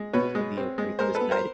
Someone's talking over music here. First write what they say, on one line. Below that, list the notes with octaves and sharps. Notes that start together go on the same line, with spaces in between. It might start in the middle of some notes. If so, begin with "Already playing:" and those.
it'll be a very cozy night i
Already playing: G#3
B2 B4 C#5
G#3
C4
G#3
G#3 A#4 C5
A4 B4
B3
A#4 C5